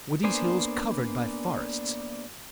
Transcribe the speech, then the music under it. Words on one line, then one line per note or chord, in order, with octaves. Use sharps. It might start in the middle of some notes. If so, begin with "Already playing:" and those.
Were these hills covered by forests?
A#3 B3 D4 C5 G#5